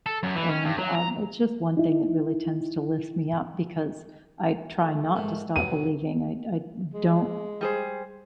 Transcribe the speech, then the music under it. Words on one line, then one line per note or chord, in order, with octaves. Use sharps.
and, um, it's just one thing that really tends to lift me up, because I try not to stop believing, I d I d don't
A4
F#2
E3
C#4
G2
F#3
A#5
D#4 E4
A3
G#2 A#3
C3 F#3 B4 D#7
G#3
G3 G#4 C5